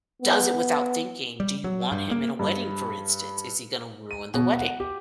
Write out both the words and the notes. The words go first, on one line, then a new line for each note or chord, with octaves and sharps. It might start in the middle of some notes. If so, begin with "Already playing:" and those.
does it without thinking, do you want him in a wedding for instance? Is he gonna ruin the wedding?
B3
G3
F#3
G2
A#3
G2
D#7
B2
F#5
G4